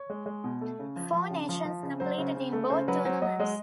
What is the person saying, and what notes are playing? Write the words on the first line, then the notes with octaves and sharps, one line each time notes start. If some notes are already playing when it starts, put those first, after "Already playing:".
Four nations competed in both tournaments.
Already playing: C#5
G#3
G#3
B2
A3
C#3
F3
F3
C#3
F3
F3
C#3
F#3 C5
C#3
C#3
A3
C#3 C5
F#3 B4
F#3 C5
F#3 D#5
G#3 D#5